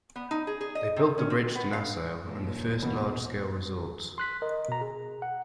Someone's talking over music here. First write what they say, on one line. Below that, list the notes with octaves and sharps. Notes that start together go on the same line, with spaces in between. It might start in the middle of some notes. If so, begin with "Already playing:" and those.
They built the bridge to Nassau and the first large-scale resorts.
B3
D#4
G#4
G#4
D#5
C3
C#4
C4
B3
F5
D#2 A#2
B2
C6 F#6 B6
A#4 D#5
B2 A#5
G#4
F#5